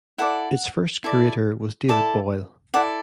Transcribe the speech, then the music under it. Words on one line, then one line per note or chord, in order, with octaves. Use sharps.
Its first curator was David Boyle.
E4 A4 D5 F#5
E4 A4 D5
E4 A4 D5 A5
E4 A4 D5 F#5